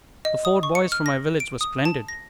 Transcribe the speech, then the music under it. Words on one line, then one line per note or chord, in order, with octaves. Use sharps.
The four boys from my village were splendid.
D#5
D#6
C#6
C#7
F6
A#6
D7
D#6
A5
A#6